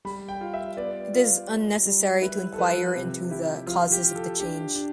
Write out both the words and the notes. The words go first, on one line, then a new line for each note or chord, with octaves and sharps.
It is unnecessary to enquire into the causes of the change.
G3 B5
G5
F4
E5
B3 D5
F4
G3
G3
E4 B4
A4
F3 B4
C3
E4 G4
F3 F4
G4
F4
A4
D4 G4
D4